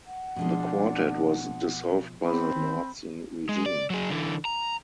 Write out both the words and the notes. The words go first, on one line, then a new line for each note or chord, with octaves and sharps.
The quartet was dissolved by the Nazi regime.
F#5
B2 F3 G#3 D4
C4 B5
G#3
D5
F#3 G#4
D3 E3
A#5